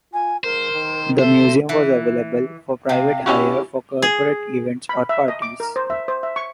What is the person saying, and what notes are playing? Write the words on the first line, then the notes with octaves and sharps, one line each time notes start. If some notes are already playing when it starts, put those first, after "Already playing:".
The museum was available for private hire for corporate events or parties.
F4 G#5
G#2 A#4 C5
D#3
A4 C5 E5
E3
C3 F5
C#4 E4 F#4 G4
G#4
B5
E5
D#5
D6
A#4
C5
E5
C5
E5
C#6